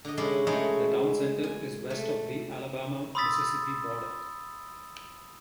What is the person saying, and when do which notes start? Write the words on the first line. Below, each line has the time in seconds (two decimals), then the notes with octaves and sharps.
The town center is west of the Alabama-Mississippi border.
0.05 D3 D#5
0.17 C3 G#3 C#4 D4 E4
0.47 G#3 A3 D#4 E4 F#4 C#5
1.43 G#5
1.90 A3
3.15 B5 C6 D#6 E6 A6 B6